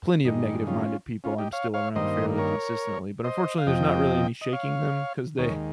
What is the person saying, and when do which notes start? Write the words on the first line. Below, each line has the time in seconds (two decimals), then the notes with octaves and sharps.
plenty of negative-minded people I’m still around fairly consistently, but unfortunately there’s not really any shaking them cause they
0.24 G2 D#3 G#3 D#4
0.67 C#4 F4
1.24 C#4 F4
1.38 D#4 G4
1.53 C#5 F5
1.74 C#5 F5
1.96 G2 D#3 A#3 C5 D#5
2.38 A#4 C#5
3.24 C5 D#5
3.58 F5
3.66 F2 C3 F3 D#5 G5
4.41 D#5
4.53 C#5 F5
5.38 D#2 D#3 G#3 A#4 C#5